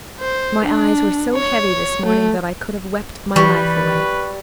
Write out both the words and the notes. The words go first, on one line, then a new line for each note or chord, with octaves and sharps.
My eyes were so heavy this morning that I could have wept my life away.
C5
D4
C#5
A3
E3 G3 B4 C#6